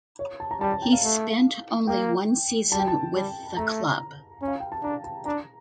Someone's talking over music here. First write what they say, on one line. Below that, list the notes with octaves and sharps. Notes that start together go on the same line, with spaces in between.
He spent only one season with the club.
C#5
A5
A#5
G3 A5
A5
G5
F5
A3
A#3 G5
G3 A5
G5
A5
G3
A3 A#5
C#4
F5
G5
A5
D4 A#5
A5
D4 A#5